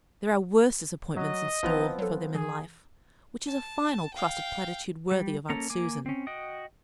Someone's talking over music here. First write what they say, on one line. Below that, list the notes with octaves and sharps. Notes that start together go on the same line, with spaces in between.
'There are worse disappointments in store for them in life-- Which is a fine old crusted platitude worthy of Aunt Susan.
F#3 D#5
A1 F3 B3 C4 E4 A#5
F#3 A4
E3 G#4
A5
F5 G5
G3
A#3 C#4 A4 A#5
A#3 G#5 D6
C4 C#4
F#4 D#5 G5 D#6